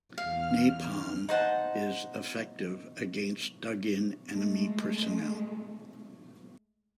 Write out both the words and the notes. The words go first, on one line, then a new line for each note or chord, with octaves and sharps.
Napalm is effective against dug-in enemy personnel.
E2 F5 F6
D#4 C5 F#5 A5
G#3 A3